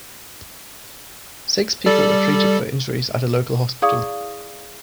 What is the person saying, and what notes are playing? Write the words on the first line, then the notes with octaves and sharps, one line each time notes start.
Six people were treated for injuries at a local hospital.
G3 A4 D5
E4 G#4 D5 F5 C#6 D#6